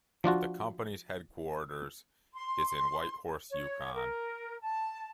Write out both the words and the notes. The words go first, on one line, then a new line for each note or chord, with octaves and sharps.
The company's headquarters is in Whitehorse, Yukon.
F3 D4 F4 F#4
C6
C#5
A#4
A5